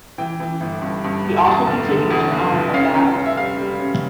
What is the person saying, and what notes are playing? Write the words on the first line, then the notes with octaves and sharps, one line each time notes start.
He also continued to own the house.
E3 G5
E3
G1
G2
G2
G1
E2 A5
F1
D3
E2
F1
F1
C#4 F5
C#4
C#4
E5
G3 F5
G3
C#4